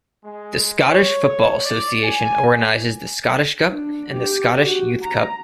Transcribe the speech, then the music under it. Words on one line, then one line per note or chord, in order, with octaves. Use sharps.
The Scottish Football Association organises the Scottish Cup and the Scottish Youth Cup.
G#3
C#5
D5
G#5
D4
G4
F#4
A#5